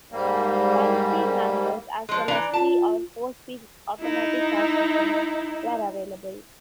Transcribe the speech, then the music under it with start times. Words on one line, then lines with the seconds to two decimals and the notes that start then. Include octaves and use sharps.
Five-speed manuals as well as three- or four-speed automatic transmissions were available.
0.12 G#2 G3 A#3
2.09 F3 G#3
2.28 E3 D4 A#5
2.54 F4 A5
4.00 D#4 E4